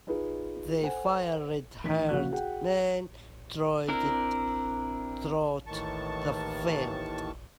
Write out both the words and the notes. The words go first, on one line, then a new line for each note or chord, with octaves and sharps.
The fiery red-haired man trotted through the field.
D#4 F4 G#4 B4
A4 C5 F#5 G#5
A1 D#4 B6
A#1 C#3 F#4 F#6
F#4 G#4 F#5 G5
C4 D4 E4 A#4
D#2 A2 D#3 E3 A5 C#6